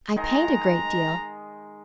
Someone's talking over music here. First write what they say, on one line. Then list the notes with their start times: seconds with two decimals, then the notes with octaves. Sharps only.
'I paint a great deal.
0.16 D#3 G#3 D#5 A#5